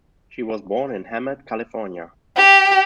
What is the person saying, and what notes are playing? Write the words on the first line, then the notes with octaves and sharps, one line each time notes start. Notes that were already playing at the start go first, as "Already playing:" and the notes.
She was born in Hemet, California.
G4